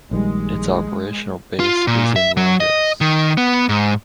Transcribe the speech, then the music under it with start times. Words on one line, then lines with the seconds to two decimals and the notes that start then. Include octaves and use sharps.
Its Operational base is in Lagos.
0.11 A#1 D#3 G3 G#3
1.60 F4
1.87 A#2
2.16 E5
2.37 F#3
2.60 D#5
3.01 D#3
3.37 B3
3.69 G#2